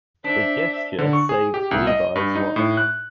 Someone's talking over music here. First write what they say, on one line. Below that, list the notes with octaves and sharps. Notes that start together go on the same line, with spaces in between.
The gesture saved Levi's life.
D4 C5 E5 B6
D3
C#6
G#4
G4
C2
D#5
G2
D#4
A2
F#6